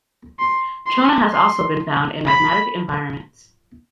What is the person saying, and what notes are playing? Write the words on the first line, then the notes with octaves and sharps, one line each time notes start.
Trona has also been found in magmatic environments.
C6
C6
C6
B5